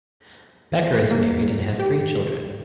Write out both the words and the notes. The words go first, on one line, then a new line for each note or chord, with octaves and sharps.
Becker is married and has three children.
A#3
G4